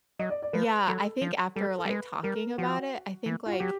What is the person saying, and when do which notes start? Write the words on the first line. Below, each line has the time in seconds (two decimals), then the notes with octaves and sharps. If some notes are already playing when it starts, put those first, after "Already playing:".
yeah, I think after like, talking about it, I think like
0.19 F#3 D#5
0.30 D5
0.42 D5
0.53 F3 B4
0.88 F#3 A4
1.22 F3
1.56 G3 A4
1.78 A4
1.85 G3
1.89 G#3 B4
2.23 G3 A#4
2.58 F3 F#4
3.26 E3
3.46 F4
3.52 F#4
3.60 F#3 G4